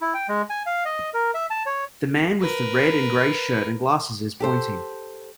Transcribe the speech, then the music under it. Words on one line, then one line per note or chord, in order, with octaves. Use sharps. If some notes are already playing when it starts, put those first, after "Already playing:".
The man with the red and gray shirt and glasses is pointing.
E4
G5
G#3
G#5
F5
D#5
A#4
E5
A5
C#5
A#4 B4
G4 A4 C5